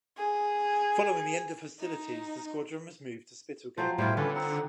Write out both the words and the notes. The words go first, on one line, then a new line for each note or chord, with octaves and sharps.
Following the end of hostilities the squadron was moved to Spitalgate, Lincs.
G#4
D#4
F3 F#3 C4 C5
A2 G3 E4 F4 C5
D3 C#4 A4 B4 C#5
C4 D#4 F#5